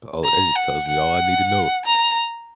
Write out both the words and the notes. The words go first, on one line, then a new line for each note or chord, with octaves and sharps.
Oh, that just tells me all I need to know.
A#5
F#5
F#5
A#5